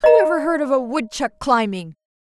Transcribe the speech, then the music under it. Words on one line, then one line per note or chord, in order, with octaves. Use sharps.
"Who ever heard of a Woodchuck climbing?"
D#5 A#5